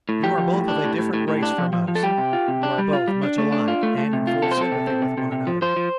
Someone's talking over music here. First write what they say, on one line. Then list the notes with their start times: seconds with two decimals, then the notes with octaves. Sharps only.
You are both of a different race from us; you are both much alike, and in full sympathy with one another.
0.09 A2
0.23 F3 G4
0.38 F3
0.53 A2
0.68 D4
0.84 A2
0.98 A2
1.13 A2
1.28 A2
1.43 D4
1.58 F3
1.73 F3
1.88 F3
1.95 A4
2.03 G3 G4
2.18 C3
2.33 F4
2.48 C3
2.63 D4
2.78 G3
2.93 F4
3.08 G3
3.23 D4
3.38 A3
3.52 D4
3.68 F4
3.83 A3
3.98 A3
4.13 C3
4.27 F4
4.42 C3 A4
4.51 C5
4.58 C4 A4
4.72 C3
4.87 C4
5.02 C3
5.18 C3
5.32 C3
5.47 F3
5.62 F3 C5
5.76 F3